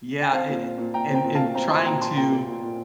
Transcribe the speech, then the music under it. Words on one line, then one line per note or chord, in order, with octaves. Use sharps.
yeah, i i and in trying to,
G5
C4 F5 A5
A#2
C4
A#2
A#2 G5 A#5
C4
G5 A#5
A#2
A3 F5 A5
C4 G5 A#5
C4 A5 C6
A#2 G5 A#5
A#2 A5 C6
A#2 G5 A#5
A3
A#2
A#2